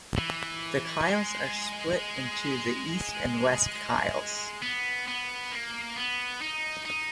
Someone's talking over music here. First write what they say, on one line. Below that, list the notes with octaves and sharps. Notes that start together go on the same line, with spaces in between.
The Kyles are split into the East and West kyles.
E3
G#3
B3
B3
A#3
B3
D#4
D#4